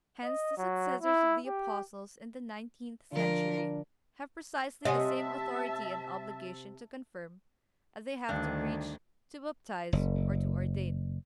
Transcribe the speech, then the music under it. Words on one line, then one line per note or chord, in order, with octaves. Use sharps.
Hence the successors of the Apostles in the nineteenth century have precisely the same authority and obligation to confirm as they have to preach, to baptize or to ordain.
D#5
F#3
E4
G4
D3 F3 D4 F4 A#4
C3 C#5 D#5 E5 F#5 G#5 A5
D2 G2 D#3 D4
F#1